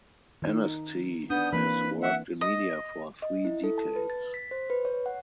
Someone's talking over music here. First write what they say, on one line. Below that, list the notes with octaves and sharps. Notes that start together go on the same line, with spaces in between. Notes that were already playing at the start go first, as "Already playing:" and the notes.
Anstey has worked in media for three decades.
D#3 D#4
B3 D4 D#6 G6
E3 A#3 C4 B4 B5
E5 F#5
D#5
D#5
E4
A4
A5
B4
A6
B6
C5
B4
C#5
F#5